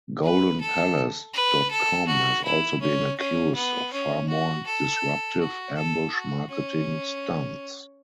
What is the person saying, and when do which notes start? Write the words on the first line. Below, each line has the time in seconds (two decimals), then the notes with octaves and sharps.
GoldenPalace dot com has also been accused of far more disruptive ambush marketing stunts.
0.23 B4
0.60 A4
1.33 B4
1.70 A4
2.07 F#4
2.44 E4
2.81 C#4
3.18 C#4
3.55 B3
3.92 C#4
4.29 F#4
4.66 A4
5.40 F#4
5.76 A4
6.13 F#4
6.50 C#4